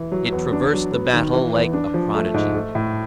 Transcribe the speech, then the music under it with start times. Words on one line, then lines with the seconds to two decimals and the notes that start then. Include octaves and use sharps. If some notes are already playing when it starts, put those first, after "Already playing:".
It traversed the battle like a prodigy.
Already playing: E3
0.12 F#3
0.32 E2
0.53 D4
0.73 F#3
0.93 B3
1.13 D#3
1.33 E3
1.54 E2
1.74 D4
1.94 F3
2.14 A3
2.34 G#2
2.55 A3
2.75 A2